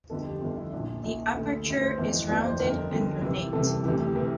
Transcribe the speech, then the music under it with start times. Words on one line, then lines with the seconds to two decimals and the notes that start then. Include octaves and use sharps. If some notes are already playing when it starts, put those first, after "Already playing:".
The aperture is rounded and lunate.
0.10 G1 F2 D3 A4
0.25 G4
0.41 G1 F2 D3 F4
0.56 E4
0.72 A#1 A#2 D4
1.04 A#1 A#2
1.34 D2 D3
1.66 D2 D3
1.82 C5
1.98 G1 F2 E3
2.29 G1 F2 E3 D5
2.45 C5
2.59 G1 F2 D3 A#4
2.91 G1 F2 D3
3.21 C2 C3 E3
3.53 C2 C3 E3 A4
3.84 D2 C3 E3 G4
4.00 G4
4.15 C3 E3 A#4